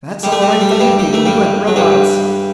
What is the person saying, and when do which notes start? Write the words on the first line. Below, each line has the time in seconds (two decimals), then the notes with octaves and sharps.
"That's all right for you people, you have robots...."
0.23 G3
0.32 A3
0.42 G3
0.51 A3
0.61 G3
0.70 A3
0.80 G2 G3
0.99 G3
1.13 A3
1.26 G2 G3
1.67 F#3
1.76 G2 G3